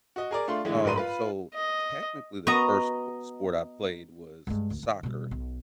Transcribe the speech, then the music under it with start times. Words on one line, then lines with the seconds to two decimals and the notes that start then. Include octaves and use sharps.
Um, so, technically, the first sp sport I played was soccer,
0.16 F#4 D#5
0.31 G#4 A#4 D5
0.48 A3 D4 F4 C6
0.65 D3 E3 G#3 E4
0.84 A1 G#2 F#3 B4 C6 D#7
0.96 F4 B4 B5
1.54 D#5
2.47 B3 F#4 D#5 A#5
4.47 G2 G#3
4.70 D2
4.83 D#3
5.03 B2 G3
5.31 B1